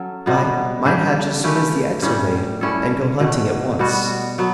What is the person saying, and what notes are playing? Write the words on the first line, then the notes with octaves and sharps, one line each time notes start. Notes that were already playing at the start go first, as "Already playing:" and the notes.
Why, mine hatch as soon as the eggs are laid, and go hunting at once.
Already playing: F#3 C#4 A4
B2 G3 B3
C#3 G3 D4 G4
A3 C#4 G4 B4
A2 G3 C#4
G3 C#4 E4 A4
B2 A3 C#4
B2 G3 B3 F#4
F#3 B3